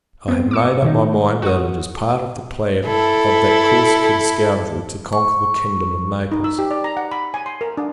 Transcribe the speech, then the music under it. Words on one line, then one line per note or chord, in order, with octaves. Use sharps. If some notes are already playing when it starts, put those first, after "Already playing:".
I have made up my mind, that it is part of the plan of that Corsican Scoundrel, to conquer the kingdom of Naples.
B3 C4
D6 E6 C#7
B2 D#3 D#4
F#4 F#5 C#6 D#6
E4 A4
C#6
D#4
E6
G4
D5
A#5
F#5
B5
G#5
C6
A#4
D4